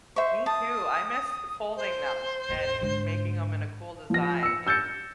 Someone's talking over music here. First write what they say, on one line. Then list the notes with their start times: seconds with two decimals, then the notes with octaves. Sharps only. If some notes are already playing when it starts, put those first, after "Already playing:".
me too. I miss folding them and making 'em in a cool design and
0.16 C5 E5 C#6
0.46 A5 D#6
1.77 C5
2.49 A1 E2
2.81 G#2 D3
4.10 F3 A#6
4.43 E6 C#7
4.67 E6 G6 A6 C#7